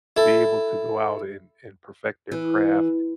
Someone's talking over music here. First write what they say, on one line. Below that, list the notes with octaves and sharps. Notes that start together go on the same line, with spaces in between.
be able to go out, and and perfect their craft,
E4 A4
E3